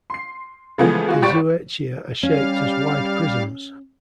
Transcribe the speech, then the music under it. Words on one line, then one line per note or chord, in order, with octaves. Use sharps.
The zooecia are shaped as wide prisms.
C6 C7
C#3 E3 F3 G#3 A3 B3
G#3 F4 F#4
G1 G4 D5 C#6 A6 D7
G3 C#4 F5